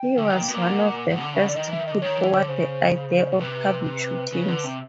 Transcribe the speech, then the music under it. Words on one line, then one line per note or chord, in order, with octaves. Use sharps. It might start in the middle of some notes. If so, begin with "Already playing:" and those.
He was one of the first to put forward the idea of public shootings.
Already playing: G5
D3
D#3
A#2
B2
A#2
F#5
G#2
D3
C#3
D3 D5
D#3 D#5
E3 E5
D#3
D3 D#5
D#3 C#5
E3
D3
C#3 C5
B2
C3 B4
C#3
D3
C3